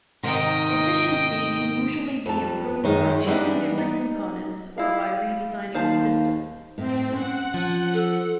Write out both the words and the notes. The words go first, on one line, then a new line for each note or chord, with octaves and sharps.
Efficiency can usually be improved by choosing different components or by redesigning the system.
G#2 C3 D#3 D#5 G5
F2 A5
F#2 D#3 G#3
E3 G3 B3 D4 D#4 B4
D#4
E4 F5
D#2 C5 F5 A5
A2 C4
C#4 F#5
F3
A4